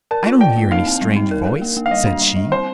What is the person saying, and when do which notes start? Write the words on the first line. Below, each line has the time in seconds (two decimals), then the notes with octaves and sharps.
"I don't hear any strange voice," said she.
0.11 A#4 A5
0.26 F4
0.41 D5 G5
0.56 A#3
0.71 D#4 F5
0.86 C4
1.02 G3
1.16 D#4
1.31 A#4
1.46 A#4
1.62 A#3
1.77 A#3
1.86 F5
1.91 G3 D#5
2.06 D4
2.21 G3
2.36 G3
2.52 C4 C5